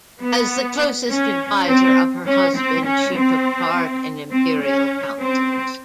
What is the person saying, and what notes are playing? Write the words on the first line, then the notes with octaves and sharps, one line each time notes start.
As the closest adviser of her husband, she took part in Imperial councils.
B3
C#4
C4
C#4
C4
C#4
C4
C4
C#4
C4